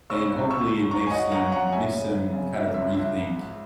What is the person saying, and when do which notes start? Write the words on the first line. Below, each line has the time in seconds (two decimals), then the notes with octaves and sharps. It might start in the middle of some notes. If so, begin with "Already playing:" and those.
and, hopefully, it makes them makes them kind of rethink,
0.10 C#3 C#6 E6
0.30 C#2
0.50 C#2 C#6 E6
0.71 C#2
0.91 F#2 A#5 C#6
1.07 G#5
1.11 F#3 D#5 F#5
1.32 F#2 F#5 A#5
1.52 F#2 F#5 A#5
1.72 F#3 E5 G#5
1.93 C#3
2.12 C#3
2.33 C#3
2.54 F#3 E5
2.74 C#2 E5
2.94 C#2 E5
3.15 C#2
3.35 G#2